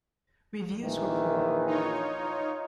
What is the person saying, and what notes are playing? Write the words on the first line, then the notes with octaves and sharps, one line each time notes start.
Reviews were poor.
A#1 D#3 E3
D#4 F4 C#5